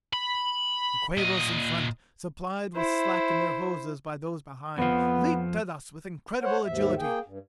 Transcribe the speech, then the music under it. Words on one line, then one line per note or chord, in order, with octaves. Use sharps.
The Quabos in front, supplied with slack in their hoses by those behind, leaped at us with incredible agility.
B5
A#2 D#5
E4 C5
F2 F3 B3
C5 C#5 F#5
D#2 G#2 E5
A#3 G#4 G5
G2